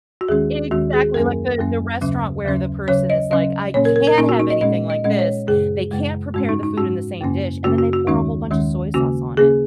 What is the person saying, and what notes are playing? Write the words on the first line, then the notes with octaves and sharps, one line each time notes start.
Exactly, like the the restaurant where the person is like, "I can't have anything like this, they can't prepare the food in the same dish." And then they pour a whole bunch of soy sauce on it,
F#4
D#2 D#3 G#3 C#4 G#4
D#2 D#3 G#3 C#4 F#4
G#4
F#2 F#3 A#3 C#4 A#4
F#2 F#3 A#3 C#4
D#2 C#3 F#3 C#4
D#2 C#3 F#3 C#4
C#3 F#3 C#4 C#5
D#5
C#3 F#3 C#4 D#5
A#2 A#3 C#4 C#5
A#4
A#4
A#4
A#2 A#3 C#4 D#4
F#4
D#4
D#5
A#2 G#3 C#4 D#5
D#5
A#2 G#3 C#4 D#5
C#5
F#2 C#3 G#3 G#4
F#2 C#3 G#3
G#2 G#3 C#4 F#4
D#4
D#4
G#2 G#3 C#4 F#4
F#2 C#3 A#3 C#4
F#2 C#3 A#3 C#4 F#4
F#4
F#4
D#2 D#3 G#3 C#4 D#4
D#2 D#3 G#3 C#4
C#3 A#3 C#4 F#4
C#3 A#3 C#4 G#4